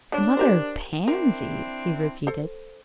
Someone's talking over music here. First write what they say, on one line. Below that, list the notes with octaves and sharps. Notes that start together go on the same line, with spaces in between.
"The Mother of Pansies!" he repeated.
D3 D4 C#5
G4 A#4 C5
C4 D4 E4 A#4
A4 C5